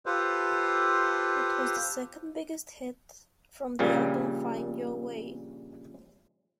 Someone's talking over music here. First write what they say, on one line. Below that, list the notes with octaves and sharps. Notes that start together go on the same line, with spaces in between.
It was the second biggest hit from the album "Find Your Way".
F4 G4 A4 B4 C5
A#1 A#2 C#3 G3